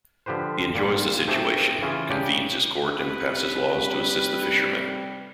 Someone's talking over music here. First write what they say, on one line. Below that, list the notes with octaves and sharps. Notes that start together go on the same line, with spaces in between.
He enjoys the situation, convenes his court and passes laws to assist the fishermen.
D3 F3 G4 B4 C5
A#2 G3 F4
A3 C4 G4 G#4 C5
C#3 E3 C#4 F4 G#4
C#3 D4 G4
C3 B4
G3